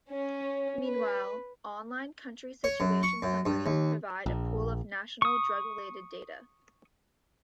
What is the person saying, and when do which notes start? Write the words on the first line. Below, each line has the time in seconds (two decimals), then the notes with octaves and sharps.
Meanwhile, online country situation summaries provide a pool of national drug-related data.
0.10 C#4
0.85 B4
2.64 C#5
2.80 F#2
3.03 C#6
3.22 F#2
3.46 G2
3.66 D#2
4.26 A#1
5.22 C#6 D#6